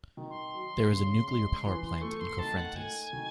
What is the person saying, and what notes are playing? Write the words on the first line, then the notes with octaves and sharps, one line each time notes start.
There is a nuclear power plant in Cofrentes.
D#3
C6
F#3
C#3
G#3
E3
A3 C#6
C6
D#3 A5
F#5
A3 G#5
D#3